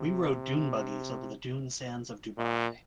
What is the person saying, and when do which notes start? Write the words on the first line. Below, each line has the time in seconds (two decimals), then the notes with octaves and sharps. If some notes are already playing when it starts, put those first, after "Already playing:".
We rode dune buggies over the dune sands of Dubai.
Already playing: C3
2.37 A#2